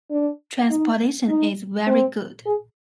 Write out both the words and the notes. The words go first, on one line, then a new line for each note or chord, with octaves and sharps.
Transportation is very good.
D4
D#4
D#4
C4
G#4